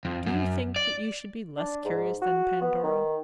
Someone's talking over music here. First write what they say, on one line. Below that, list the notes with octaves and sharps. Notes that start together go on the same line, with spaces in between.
Do you think that you should be less curious than Pandora?
F2
F#2
D5
D4
G#2
F#4
B3
D#3